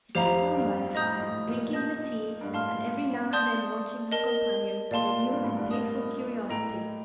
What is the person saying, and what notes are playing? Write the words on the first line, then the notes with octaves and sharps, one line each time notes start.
She sat on by the fire, drinking her tea and every now and then watching her companion with a new and painful curiosity.
F2 G4 C5 F5 A#5
G2
A2 D#5 A#5 D#6 G6
A2
A#2
D#5 A5 D#6 G6
G2
A2 F5 A5 C6 F6
D5 A5 C6 D#6 G6
A#4 D#5 A5
A#2 D5 F5 A5 C6
G2
A2
G2
A#4 D#5 A5 D#6
A2 A4 D#5 G5 A#5